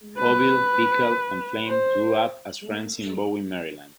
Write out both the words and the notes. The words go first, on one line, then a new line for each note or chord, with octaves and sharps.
Auville, Bickel, and Flaim grew up as friends in Bowie, Maryland.
B4
C5